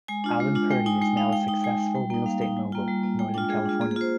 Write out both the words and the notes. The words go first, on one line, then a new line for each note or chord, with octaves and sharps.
Alan Purdy is now a successful real estate mogul in northern California.
G#3 G#5
D4 F4
G#3
D4 F4
G#3 G5
D#4 G#5
G#3 G5
D#4 F5
G#3 G5
D#4 G5
G#3 G#5
D#4
G3 G5
A#3 D#4 G5
G3 F5
A#3 D#4 G5
G3 G#5
A#3 F4 G5
G3
A#3 F4
G#3 G5
D4 F4 G5
G#3 G#4
D4 F4
A#3 G#4
G#4
F4 C5